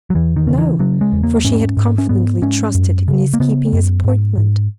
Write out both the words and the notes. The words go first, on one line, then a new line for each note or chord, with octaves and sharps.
No; for she had confidently trusted in his keeping his appointment.
F#3
E2 E3
D#3
C#3
E3
C#3 F#3
G#3
E2
A#3
G#2 C#4
G#2
C#4
G#2 B3
G#2 C#4
F#2
C#3
A#3
C#3 B3
F#2
G#2
G#2